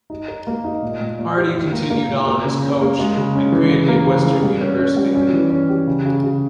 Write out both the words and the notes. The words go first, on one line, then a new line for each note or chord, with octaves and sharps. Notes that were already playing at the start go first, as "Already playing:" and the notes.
Hardy continued on as coach and created a western university league.
D#4
A#4
A#3
D#4
A#2
A#2
A#2
G4
E4
A#3
A#3
A#2
A#3
C#3
C#4
A#3
G#3
C#3
C#4
E3
C#3
A#3
C#3
E3
G3
C#4
C#4
G3
C#4
E3
C#4
G4
C#3
C#3
C#3